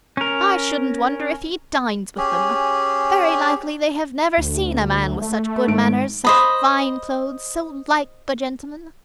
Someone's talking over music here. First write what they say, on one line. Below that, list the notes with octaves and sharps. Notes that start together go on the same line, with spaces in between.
I shouldn't wonder if he dines with them. Very likely they have never seen a man with such good manners, such fine clothes, so like a gentleman.
C#4 A#4
C#4 G4 G#4
D2
A3
G#1 D7
C5 D#5 B5